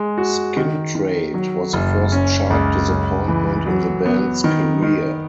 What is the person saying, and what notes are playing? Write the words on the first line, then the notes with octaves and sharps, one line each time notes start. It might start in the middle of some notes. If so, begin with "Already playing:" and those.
"Skin Trade" was the first chart disappointment in the band's career.
Already playing: G#3
F#4
D#3
D#3
F#3
F#1
C#4
C#2
F#2
E3
F#3
B3
D#3
D#3